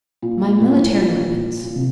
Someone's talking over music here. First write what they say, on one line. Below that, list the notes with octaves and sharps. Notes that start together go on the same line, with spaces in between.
"My military weapons."
A#2
A#2
A#2
A2
A2
A#2
A#2
C3